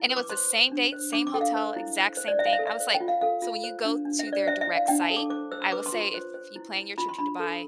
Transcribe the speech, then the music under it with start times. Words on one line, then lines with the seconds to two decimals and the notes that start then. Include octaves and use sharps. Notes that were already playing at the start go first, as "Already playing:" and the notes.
And it was the same dates, same hotel, exact same thing. I was like so when you go to their direct site, I will say if you plan your trip to Dubai,
Already playing: E4
0.09 B4
0.17 D6
0.30 C5 C6
0.51 C5
0.72 D4
0.93 C5
1.13 D4 D6
1.27 D6
1.34 A4 G5
1.41 F5
1.55 C5
1.76 E4
1.97 C5
2.17 C5
2.28 D5
2.39 C5 E5
2.46 F5
2.53 E5
2.59 A4
2.67 E5
2.80 C5
2.94 G5
3.00 F4
3.08 F5
3.21 A4 F5
3.42 F4
3.64 C5
3.85 D4
4.05 D4
4.19 E5
4.27 C5
4.33 D5
4.46 C5 E5
4.61 E5
4.67 E4
4.75 F5
4.88 D4 G5
5.02 A5
5.10 A4
5.17 D6
5.30 C5 D6
5.52 C5 E6
5.62 E6
5.72 B4 D6
5.86 C6
5.92 F4
6.01 C6
6.14 C5
6.34 C5
6.56 E4
6.76 E4
6.98 F4 B5
7.09 C6
7.18 D4 B5
7.40 A4